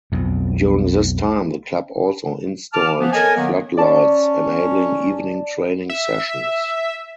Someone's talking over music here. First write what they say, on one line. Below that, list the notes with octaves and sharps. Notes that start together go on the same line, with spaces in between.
During this time the club also installed floodlights enabling evening training sessions.
B1 F2
A5 D6 F6
E3 F3 A#3 B3
A4 A#4 C#5 D#5 G#5
D#3 F#3 A#3 B3
C#4 D5 A5
E5